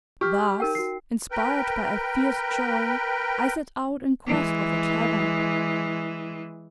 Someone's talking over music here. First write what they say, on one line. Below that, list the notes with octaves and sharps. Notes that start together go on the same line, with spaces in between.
Thus, inspired by a fierce joy, I set out in quest of a tavern.
G4 C#6 F6
D#4 A#4 G5
F#4 C7
A#4 B4 G5
E3 G#3